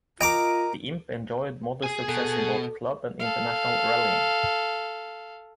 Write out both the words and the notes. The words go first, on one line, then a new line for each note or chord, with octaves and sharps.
The Imp enjoyed modest success in both club and international rallying.
F4 A#4 D#5 G5 A#5 D6
G#4 G#5
B2 A4
A4 F5